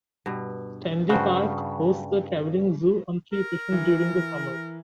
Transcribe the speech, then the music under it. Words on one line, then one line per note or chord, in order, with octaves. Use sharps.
Stanley Park hosts a travelling zoo on three occasions during the summer.
G2 B2
G2 C#3 F#4 C5
A#4
E3